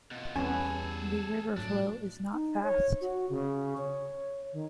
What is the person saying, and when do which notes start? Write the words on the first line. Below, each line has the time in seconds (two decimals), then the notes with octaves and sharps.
The river flow is not fast.
0.11 B2 F4
0.36 E2 G3 B3 C#4 G#4 A4 G#5
1.57 A2 F#3 D4
2.33 D#4
2.63 C#5
3.01 F#4
3.29 C#3
3.77 C#5
4.53 D#3